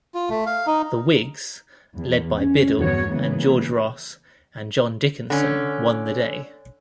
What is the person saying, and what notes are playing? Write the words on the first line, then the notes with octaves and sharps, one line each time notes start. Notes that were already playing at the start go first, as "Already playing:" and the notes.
The Whigs, led by Biddle and George Ross and John Dickinson won the day.
F4
A3
F5
D#4
E2
C#4
E2 G2 F#3 B3 F#4 C#5
C#3 E3 G#3 A#3 B3
D3 C#4